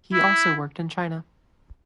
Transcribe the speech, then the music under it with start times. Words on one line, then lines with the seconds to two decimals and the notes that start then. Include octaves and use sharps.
He also worked in China.
0.13 E4